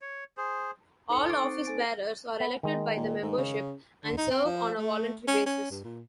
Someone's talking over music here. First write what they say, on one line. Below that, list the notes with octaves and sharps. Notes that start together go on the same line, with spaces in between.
All office bearers are elected by the membership and serve on a voluntary basis.
C#5
G#4 C5
D#4 A4 C5 C6 D#6 C#7
C#6 D6 A6 C7 D7
C4 D#4 C5
A4 C5 G#5 A6 D7
B3
D#3 G#3
A#2
G#2
C#3
D3
D#4
C4
F3
A3
C#4
C#4
G2
A#2